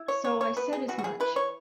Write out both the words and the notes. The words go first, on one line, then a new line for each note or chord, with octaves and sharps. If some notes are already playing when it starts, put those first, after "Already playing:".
So I said as much.
Already playing: E4
C#5
E3 C#5
C#5
B3 B4
G#4
E3 F#4
F#4
G#4
E4 B4
C#5